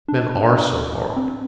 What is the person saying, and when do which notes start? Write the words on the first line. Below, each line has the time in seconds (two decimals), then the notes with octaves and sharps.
Men are so hard!
0.08 D4
1.17 C4